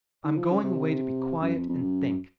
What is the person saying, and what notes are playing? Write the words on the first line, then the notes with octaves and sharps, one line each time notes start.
I'm going away to be quiet and think.
D#3
F3
C#3
C3
F#2
F2
F2
F#2